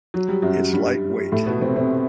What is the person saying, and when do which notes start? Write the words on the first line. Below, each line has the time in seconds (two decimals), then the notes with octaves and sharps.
It's light weight.
0.14 F#3
0.28 G3
0.42 F#2 F#3
0.73 G2 G3
1.32 A2 A3
1.46 B2 B3
1.61 C3 C4
1.76 C3 C4